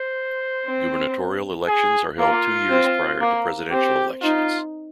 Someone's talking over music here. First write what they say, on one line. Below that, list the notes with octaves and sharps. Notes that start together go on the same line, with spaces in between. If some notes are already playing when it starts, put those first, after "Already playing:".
Gubernatorial elections are held two years prior to presidential elections.
Already playing: C5
C4
G#4
A#3 F4
C4
A#3
C4 G4
D#4 F4